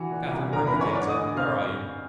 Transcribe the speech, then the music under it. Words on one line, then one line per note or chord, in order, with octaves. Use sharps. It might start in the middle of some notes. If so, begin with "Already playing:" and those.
Catherine! bring the things in: where are you?'
Already playing: E3 F#4
A#2
C2
E2 A#4 A#5
B4 B5
E3
C#5 C#6
D3 D5 D6
D#5 D#6
D2
C4 F5 F6